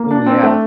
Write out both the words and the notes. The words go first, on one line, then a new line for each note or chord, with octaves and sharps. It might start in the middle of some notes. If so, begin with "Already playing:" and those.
Ooh, yeah.
Already playing: A#3
D4
C4
A3